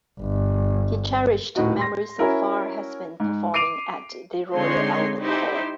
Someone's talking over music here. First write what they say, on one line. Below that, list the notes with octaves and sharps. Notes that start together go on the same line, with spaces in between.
His cherished memory so far has been performing at The Royal Albert Hall.
G1
D#1 A2 D#4 F#4
C6 A#6
C#4 E4 F#4 A#4
G#2
D6 C7 D7 D#7 F7
D3 G#3 C4 D#4 C#5 C6
D#4 E4 G4 C5